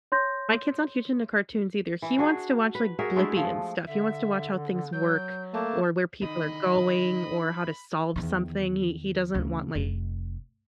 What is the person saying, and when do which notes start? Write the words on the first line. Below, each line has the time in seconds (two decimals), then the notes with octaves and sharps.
my kid's not huge into cartoons either, he wants to watch, like, Blippi and stuff, he wants to watch how things work or where people are going or how to solve something, he he doesn't want, like,
0.12 C#5 C6 G6 A#6
2.02 E3
2.18 D4 F#4 G#4
2.75 B4
2.99 F#4 G#4 A#4 E5
3.16 G#3 A3 D4 E4
3.37 F3
3.87 D3 E5
4.93 F#3 G6
5.54 A3 A#3 A5
6.23 D3 D#3 D#4 D#5 B5
8.16 E2 D#3
9.34 D2 C#3
9.75 F1